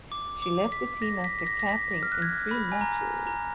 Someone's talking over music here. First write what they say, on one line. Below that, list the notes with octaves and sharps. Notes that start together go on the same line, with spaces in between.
She left the team after capping in three matches.
D6
D6
B6
A#6
B6
B6
A#6
A#6
B6
A#6
F6
F#6
G#6
B5
G#5
A#5
A#5